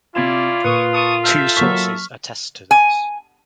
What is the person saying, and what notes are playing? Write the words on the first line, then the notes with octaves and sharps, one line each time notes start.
Two sources attest to this.
C3 C#4 E4 F4 D5 G#6 E7
A#2 B4 C#6 D#6
A5 C#6 D#6
A4 E5 F6 G6
F#3 A#3 C#6 F6 B6
G#5